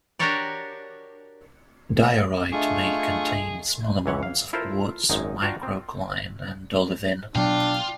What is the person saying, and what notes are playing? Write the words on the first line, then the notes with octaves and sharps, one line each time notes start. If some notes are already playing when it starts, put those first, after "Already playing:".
Diorite may contain small amounts of quartz, microcline, and olivine.
D4 F#4 G4 A#4 C#5 D5
A3 D4 F4 G#4 D#5 E5 C#6
C#2 E3 C#5 F#5
F5
E4 F4 A4 A#4 C5 F5
G#1 F#2 D#4
D4 F4 F#4 D5 G5 A#5
C4
B2 F#3 D4 F4 G5